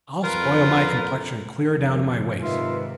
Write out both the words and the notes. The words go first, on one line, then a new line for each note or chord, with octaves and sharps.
I'll spoil my complexion clear down to my waist.
F2 F4 A#4 B4
F2
G#2 C3 D#3 F4 B4 E5